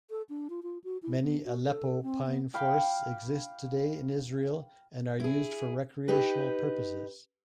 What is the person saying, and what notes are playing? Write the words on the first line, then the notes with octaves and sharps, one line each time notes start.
Many Aleppo pine forests exist today in Israel and are used for recreational purposes.
A4
D4
F4
F4
F#4
E4
B3
F#4
A4
C4
B3
F5 G5 B5 D6
E4 G#4
D#4 G4 B4